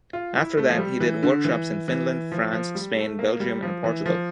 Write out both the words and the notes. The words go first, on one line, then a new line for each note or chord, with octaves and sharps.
After that he did workshops in Finland, France, Spain, Belgium, and Portugal.
F4
E4
A3
F3
G3
E3
D3
E3
E3
F3
F3
G3
A3
A#3
G3
F3
E3
F3